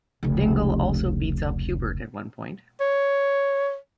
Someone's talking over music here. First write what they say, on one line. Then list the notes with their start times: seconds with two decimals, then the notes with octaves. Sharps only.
Dingle also beats up Hubert at one point.
0.23 F1 C#2
2.81 C#5